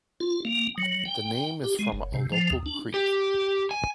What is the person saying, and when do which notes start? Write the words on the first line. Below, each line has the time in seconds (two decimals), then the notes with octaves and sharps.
The name is from a local creek.
0.20 F4
0.45 A#3
0.78 F#3
1.05 G5
1.64 G4
1.79 G#3
1.92 F#1
2.14 C3
2.32 F3
2.50 D#2
2.66 D4
2.94 G4
3.71 G#5